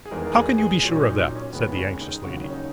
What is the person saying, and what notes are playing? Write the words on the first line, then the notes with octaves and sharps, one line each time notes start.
"How can you be sure of that?" said the anxious lady.
G#4
E2 D#3 G#3 A#4
A#4
G#4
G#4
A#2 F#3
C#4
D#4
D#4
C#4
D#2 C#3 G#3 B3
B3
C#4
D#4
D#2 C#3 F#3 F#4
C#4
D#4